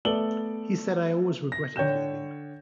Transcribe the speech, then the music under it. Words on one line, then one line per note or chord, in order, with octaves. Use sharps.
He said I always regretted leaving.
A3 B3 A4 D5 F#7 G7
A#6
D3 C#5 G5 G6 E7